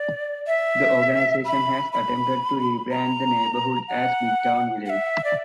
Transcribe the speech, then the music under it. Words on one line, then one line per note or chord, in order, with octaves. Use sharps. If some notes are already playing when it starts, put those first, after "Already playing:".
The organization has attempted to re-brand the neighborhood as Midtown Village.
Already playing: D5
E5
B5
B5
A#5
F#5
F#5
E5
D5